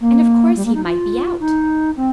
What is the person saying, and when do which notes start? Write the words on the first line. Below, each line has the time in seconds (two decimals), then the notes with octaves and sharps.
And of course, he might be out.
0.01 A#3
0.56 G3
0.65 A#3
0.75 D#4
0.84 F4
1.40 D#4
1.97 C4